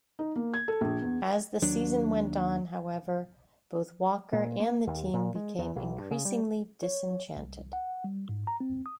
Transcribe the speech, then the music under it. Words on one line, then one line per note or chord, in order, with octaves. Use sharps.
As the season went on, however, both Walker and the team became increasingly disenchanted.
D#4
A#3
G#6
A4
A#1
E2
D#2 F#3 D4
A#2
A#3
D#2
A#2
G#3
E2
B1
G2
C#3
G3
C#5
C2
F#5
G3
G#2
A#5
C4
D#6